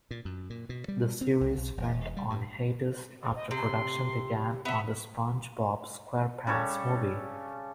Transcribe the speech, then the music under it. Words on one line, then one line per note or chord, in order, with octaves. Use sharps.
The series went on hiatus after production began on "The SpongeBob SquarePants Movie".
A#2
F#2
A#2
B2
G3
C4
C2
B1
E1
G3
G2
D#5
C3 C6
B3 E5 F#5
C#3 G3 A4 C#5